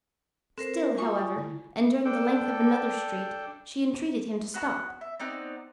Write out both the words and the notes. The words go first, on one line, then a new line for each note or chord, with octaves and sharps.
Still, however, and during the length of another street, she entreated him to stop.
C4 A4 A#4 C5
F4 F#4 F5 G#5 C#6 D#6
F4
D3 E4
D4 A4 G5
B3 F#4 A#5 F#6
E5
B3 C4 D#4 D5